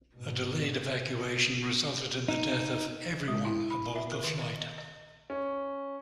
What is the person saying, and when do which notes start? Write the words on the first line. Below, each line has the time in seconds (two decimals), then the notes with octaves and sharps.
A delayed evacuation resulted in the death of everyone aboard the flight.
0.15 G#2 B2
2.28 D#4
3.28 G#3
3.45 E4
3.70 B5
3.96 E5
4.12 A#4
4.24 D#3
4.41 D#5
4.61 D#5
4.78 D#5
5.30 C#4